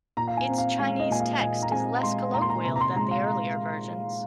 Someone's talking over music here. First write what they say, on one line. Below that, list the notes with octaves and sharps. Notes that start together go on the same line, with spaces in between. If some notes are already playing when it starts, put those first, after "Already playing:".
Its Chinese text is less colloquial than the earlier versions.
A#2 A#5
F5
G#5
C4
F5
G#3 F5
D#5
A#2 G#5
F5
A#2 G#5
A#5
C4 G#5
G#3 C6
A#2 A#5
C6
A#5
C3 A#5
A#5
C6
G#3 A#5
F5